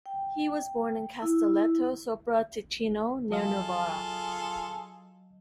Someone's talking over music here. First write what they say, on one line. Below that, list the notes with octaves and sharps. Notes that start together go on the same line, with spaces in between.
He was born in Castelletto sopra Ticino, near Novara.
G5
E4
F#3 F4 G#4 A4 D#5 F5